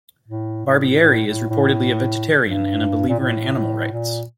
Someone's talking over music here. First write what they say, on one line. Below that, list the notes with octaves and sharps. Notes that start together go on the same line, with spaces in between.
Barbieri is reportedly a vegetarian and a believer in animal rights.
A2
A2
A2
A2
A2
G2
A#2
A2
A2
A#2